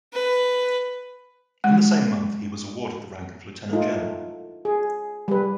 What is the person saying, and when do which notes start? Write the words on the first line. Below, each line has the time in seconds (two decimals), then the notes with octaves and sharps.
In the same month he was awarded the rank of Lieutenant General.
0.13 B4
1.64 G#3 F#5
3.71 A3 D#4 F4
4.65 G#4
5.28 G3 B4